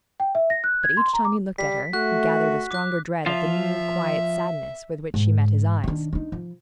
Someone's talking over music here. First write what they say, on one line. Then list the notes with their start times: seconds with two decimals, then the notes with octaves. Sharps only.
But each time he looked at her, he gathered a stronger dread of the new, quiet sadness with which she met his eyes.
0.20 G5
0.35 E5
0.50 A#6
0.64 F#6
0.83 G#6
0.97 C6
1.13 A#5
1.25 D6
1.58 G3 B6
1.93 A3 F#4 F#6
2.71 D6 F#6
3.26 F3 F4 E5
5.14 G#2
5.84 D#3 D4
6.13 D4 D#4
6.32 F3